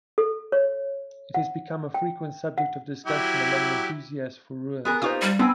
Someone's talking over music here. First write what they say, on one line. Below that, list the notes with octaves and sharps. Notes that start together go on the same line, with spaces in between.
It has become a frequent subject of discussion among enthusiasts for ruins.
A4
C#5
F#5
G5
F#5
F#3 E4 G4
B3 G#4 A#4 F#6
A#3 D#4 F4 G4 B4 C5 C#6 D#6
G3
B3 C4 D4 B4 G5 G#5 E6